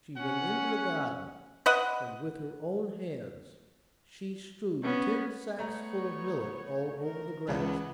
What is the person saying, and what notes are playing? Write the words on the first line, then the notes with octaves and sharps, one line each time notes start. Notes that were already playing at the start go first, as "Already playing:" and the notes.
She went into the garden, and with her own hands she strewed ten sacks full of millet all over the grass.
C#4 F#5
B4 D#5 F#5
B3 C#4
A3 B3 C#5 A#5
A#4
C#2 E3 B3